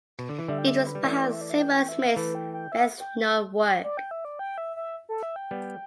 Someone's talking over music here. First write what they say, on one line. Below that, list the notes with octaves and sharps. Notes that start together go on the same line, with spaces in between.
It was perhaps Seymour-Smith's best known work.
B2
D3
E3
D3 G3 E5
G5
E5
B4
G3
E3 A3 D5
E5
D5
E5
G5
E5
E3 A3 B4
G5
G5
E5
G5
D5
G5
E5
D5
G5
E5
E5
A4
E5
G5
G3 B3